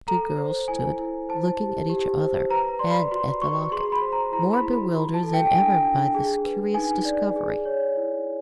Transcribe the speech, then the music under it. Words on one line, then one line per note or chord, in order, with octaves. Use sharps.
The two girls stood looking at each other and at the locket, more bewildered than ever by this curious discovery.
A4 A#5
C5
E4 G#5
E4
C5 A5
G4
G4
C5
B4 A#5
D5 C6
B5
F#4 C6
F#4 C#6
G#4 C6
B5
C5
A#5
E4 A#5
B5
E4
B5
F#4
A5
A4
G5
D4 G#5
D4
G#4
B4
D#4 G#5
D5
G#4
C#5
E4